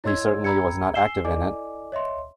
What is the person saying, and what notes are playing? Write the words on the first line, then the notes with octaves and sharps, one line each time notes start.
He certainly was not active in it.
E4 C#5 D#5 C6 E6 G#6
G5 A#5 B5 E6 G#6 C#7
G#5 E6 C7 E7 G7
E4 A4 D5 D#5 G#5 D6
C#5 D#5 E5 C6